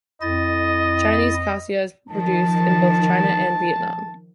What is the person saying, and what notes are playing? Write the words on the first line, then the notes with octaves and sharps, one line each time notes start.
Chinese cassia is produced in both China and Vietnam.
F2 E4 D#5 A6
D#3 F3 A5